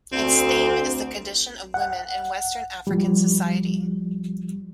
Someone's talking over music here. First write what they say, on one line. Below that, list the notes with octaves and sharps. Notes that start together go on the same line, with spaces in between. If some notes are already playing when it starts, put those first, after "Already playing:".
Its theme is the condition of women in Western African society.
D2 C4
F#5
F3 G3